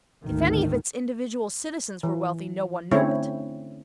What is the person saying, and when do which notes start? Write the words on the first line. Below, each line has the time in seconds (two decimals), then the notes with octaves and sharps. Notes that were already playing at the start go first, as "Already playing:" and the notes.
If any of its individual citizens were wealthy, no one knew it.
0.23 G#1 D2 D#3
2.03 E3
2.91 D3 A3 C4 C#4 E4 C#5